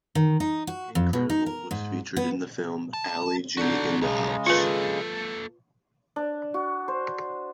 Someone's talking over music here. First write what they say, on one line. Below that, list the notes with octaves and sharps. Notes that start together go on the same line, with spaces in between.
"Incredible" was featured in the film "Ali G Indahouse".
D#3
D#4
F#4
F2
B2
D#4
A#4
G#2
B3
A5
D3 D4 D#4 F#4
B1 C#3 G#3
A#3 F4 A4 B4
D4
F#4
C5